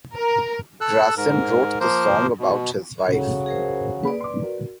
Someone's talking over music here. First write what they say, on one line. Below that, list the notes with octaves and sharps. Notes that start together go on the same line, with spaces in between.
Gracin wrote the song about his wife.
A#4
A4 E6 F#6
G#2 A#4
F3 A#3 A#4 C5
B2
C#2 C#3 F#3 A4
G#4 A#4 C5
A#3 G#4 B4 D5 B5
C6 D6
F#4 A#4